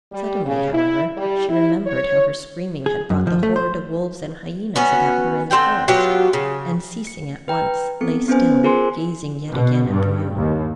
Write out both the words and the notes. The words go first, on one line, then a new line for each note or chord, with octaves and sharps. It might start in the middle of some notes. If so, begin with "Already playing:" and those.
Suddenly, however, she remembered how her screaming had brought the horde of wolves and hyenas about her in the forest, and, ceasing at once, lay still, gazing yet again at the moon.
G3
C#3
E4
G3
E4
C#5
G#4
F#2
F3
A3
C5
B3 C#4 F#4
D3 C4 F4 G5
F#3 B3 F4 G4
C#3
C#7
B4 G5 A#5
B3 C4 A4 C#7
B3 C#4 B4 C5 G#5
F4 G#4 A#4 C5 G#5 C6
B2
G2
D#2